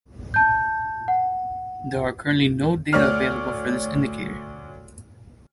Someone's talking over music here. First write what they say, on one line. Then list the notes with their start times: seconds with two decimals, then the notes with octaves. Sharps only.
There are currently no data available for this indicator.
0.34 A5 G6
1.08 F#5
2.93 D2 C#5 D5 F6